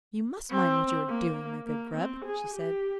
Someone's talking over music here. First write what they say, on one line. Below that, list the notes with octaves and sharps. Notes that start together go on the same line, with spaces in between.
"You must mind what you are doing, my good Grub," she said.
C4
A#3
A#3
C4
G#4
G4